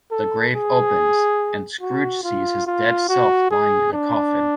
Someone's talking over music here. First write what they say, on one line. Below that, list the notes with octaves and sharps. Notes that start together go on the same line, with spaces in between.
The grave opens, and Scrooge sees his dead self lying in a coffin.
A4
G#4
F#4
F4
F4
F#4
G#4
D4